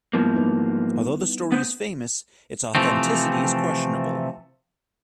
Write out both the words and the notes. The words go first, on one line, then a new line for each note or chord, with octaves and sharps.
Although the story is famous, its authenticity is questionable.
G#2 F3 G3 A#3 B3 E4
B3 D#4 B4
B3 B4 C5
C3 E3 F3 A3 C4